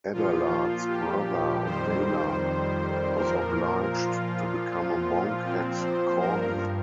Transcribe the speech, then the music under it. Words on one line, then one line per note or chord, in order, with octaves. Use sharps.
Adalard's brother Wala was obliged to become a monk at Corbie.
A#2 F3 F4
G4
F2 D#3 G3 C5
A#2 F3 A#4
F4
A#2 F3
C4
C5
G2 F3 A#4